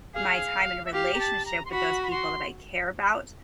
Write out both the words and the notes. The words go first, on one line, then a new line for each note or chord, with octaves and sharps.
my time and relationship with those people that I care about,
G#4 F5
E5
G4 F5
A#5
A5
A#5
C6
F#4 B5
B5
C6